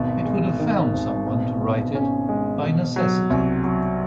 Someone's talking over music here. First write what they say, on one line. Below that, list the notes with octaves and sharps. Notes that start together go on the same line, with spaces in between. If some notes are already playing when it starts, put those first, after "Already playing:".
It would have found someone to write it, by necessity.
Already playing: G#1 B2
G#3
D#3
G#1
B2
B2
C#4
G#3
B2
F#3
C2
F#3